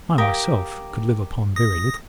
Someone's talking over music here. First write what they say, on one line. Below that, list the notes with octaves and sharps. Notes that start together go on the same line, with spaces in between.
I myself could live upon very little.
G4 A#4 F5 G5 D#6
D#6 A#6